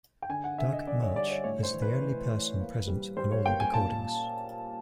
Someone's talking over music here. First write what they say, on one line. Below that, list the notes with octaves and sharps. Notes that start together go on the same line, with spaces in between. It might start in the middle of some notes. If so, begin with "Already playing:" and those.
Doug Martsch is the only person present on all the recordings.
G5
D3 G#5
F#5
D3 E5
D#5
D3 D5
C#5
G3 D5
C#5
A2 C#5
C5
E3
B4
E3
E3
A#3
G3
G3 C5
C#5
A#3 G5
G#5
A#2 A5